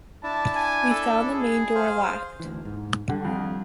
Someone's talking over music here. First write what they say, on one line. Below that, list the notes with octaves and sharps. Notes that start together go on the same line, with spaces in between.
We found the main door locked.
D4 E4 A5
G#5
A4
G#4
C5 F5
D2 E3
G#2
D3 G3
F2